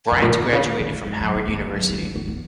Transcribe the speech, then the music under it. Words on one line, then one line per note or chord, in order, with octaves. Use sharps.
Bryant graduated fron Howard University.
F#2
A#2
C#3
B2
B2
C#3
D#3
C#3
B3
G#3
F#3
A#3
B3
A#3
F#3
G#3
A#3
B3
B3